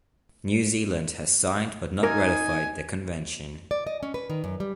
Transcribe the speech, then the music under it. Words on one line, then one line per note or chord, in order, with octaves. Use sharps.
New Zealand has signed, but not ratified the convention.
D#4 A#4 G#5
D5
D#5
C#4
B4
D#3
F#2
G3